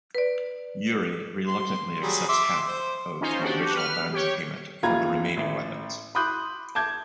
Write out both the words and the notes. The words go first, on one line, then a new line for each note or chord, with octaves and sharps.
Yuri reluctantly accepts half of the original diamond payment for the remaining weapons.
B4 D5
C6
F#3 G3 G#4
E5 C6 D6
C5
C#4 D#4 F4 C5
D4 F#4 G4
B4 F6
G4 C#5
F#1 D#2 F4 A#5 B5 G#6
A1
B5 C6 D6 D#6 F#6 G6
A5 D6 G6 G#6